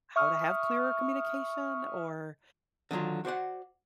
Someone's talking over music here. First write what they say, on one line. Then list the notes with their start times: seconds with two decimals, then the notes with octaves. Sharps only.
how to have clearer communication? Or,
0.16 E5 C#6 D#6 F6
2.91 D3 D#3 F#3 F4
3.25 F#4 C5 D5 F#5